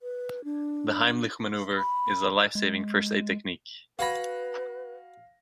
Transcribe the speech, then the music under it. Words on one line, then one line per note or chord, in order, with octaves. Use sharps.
The Heimlich manoeuvre is a lifesaving first aid technique.
B4
D4
B5
G#3
F#4 B4 F5 G#5 B5 A#6